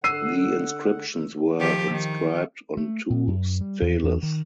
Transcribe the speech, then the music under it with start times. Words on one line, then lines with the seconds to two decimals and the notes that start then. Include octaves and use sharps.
The inscriptions were inscribed on two steles.
0.04 D3 F#5 E6 C7 D#7
1.59 D#3 F3 G4
1.91 D#3
2.77 A3
3.10 A#2
3.27 F#2
3.61 G3
3.82 E2
4.04 E2
4.23 D#3